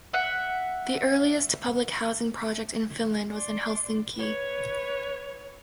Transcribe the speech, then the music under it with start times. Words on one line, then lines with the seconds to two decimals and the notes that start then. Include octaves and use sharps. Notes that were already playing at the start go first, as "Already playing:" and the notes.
The earliest public housing project in Finland was in Helsinki.
0.13 E5 F#5
3.32 D5 C6
4.16 B4 C#5